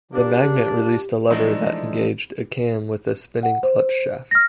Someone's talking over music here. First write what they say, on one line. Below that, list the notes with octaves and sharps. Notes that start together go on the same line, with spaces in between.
The magnet released a lever that engaged a cam with a spinning clutch shaft.
A#3 D4 G4
E3 F3 G#3 A3 D4 D#4
F#5
C5
F6 A#6